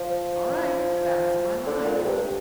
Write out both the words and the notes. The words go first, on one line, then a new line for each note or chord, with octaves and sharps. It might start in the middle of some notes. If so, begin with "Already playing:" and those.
"All right--that's my line."
Already playing: F3
D3
A#2
F2
G2